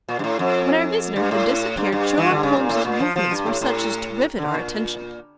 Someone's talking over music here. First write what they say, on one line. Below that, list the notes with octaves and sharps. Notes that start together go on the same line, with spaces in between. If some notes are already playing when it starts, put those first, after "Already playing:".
When our visitor had disappeared, Sherlock Holmes's movements were such as to rivet our attention.
A#2
G2
A2
F2
G2
A2
G2
G2
E3
D3
C#3
A#2
A2
A#2
F3
F3
G2
A2
A2
D3
A#2